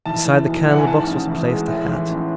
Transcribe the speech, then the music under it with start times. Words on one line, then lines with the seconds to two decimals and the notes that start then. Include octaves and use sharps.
Beside the candle-box was placed a hat.
0.06 E3 A5
0.25 E3
0.46 B1
0.66 E3 F#5
0.78 G#5
0.87 G#2 A5
1.07 A1
1.27 E3
1.48 G#3
1.68 A2
1.88 E3
2.09 A1